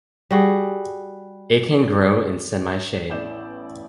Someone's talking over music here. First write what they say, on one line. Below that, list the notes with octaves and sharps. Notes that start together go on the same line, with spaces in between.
It can grow in semi-shade.
G3 F#4 G#4
A1 B3 E4 D5 G6 E7